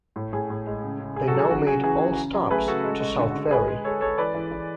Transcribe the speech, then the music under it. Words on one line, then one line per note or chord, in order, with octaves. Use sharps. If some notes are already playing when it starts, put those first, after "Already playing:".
They now made all stops to South Ferry.
A2
A2 G#4
A2
G#3
C#3
C#3
C#3 G#4
F#4 A4
F#3
G#4
C#3 F#4
C#3 G#4
E3 G#4
C#3
C#3
F#3
A3 G#4 B4
C#3 F#4 A4
G#3
G#3
D3
D3
G#3 G#4 B4
G#3
G#3 A4 C#5
G#3 A4 C#5
E3 B4 D5
E3
E3